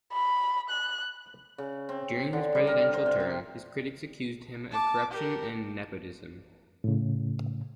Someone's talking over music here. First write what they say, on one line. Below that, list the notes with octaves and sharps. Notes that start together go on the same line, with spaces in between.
During his presidential term, his critics accused him of corruption and nepotism.
B5
F#6
C#3
C4
D3
G3
A#4
C5
C3
C4
A5 D6
G4 A#4
A2 C#3